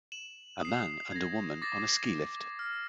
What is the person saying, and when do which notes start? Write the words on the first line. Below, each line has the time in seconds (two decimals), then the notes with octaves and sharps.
A man and a woman on a ski lift.
0.12 E7 F#7
0.61 D#6 C7
1.12 G#6 A#6
1.62 D6 A6 A#6 C7
2.59 F6